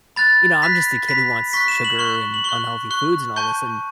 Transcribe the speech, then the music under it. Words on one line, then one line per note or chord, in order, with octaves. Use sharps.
you know, I'm just a kid who wants sugar and unhealthy foods and all this, and
B5 F#6 A6
B5 F#6 B6
B5 F#6 B6
C#6 F#6 B6
E7
F#7
C#6 F#6 G7
F#7
C#6 F#6 G7
C#6 F#6
A5 C#6 G6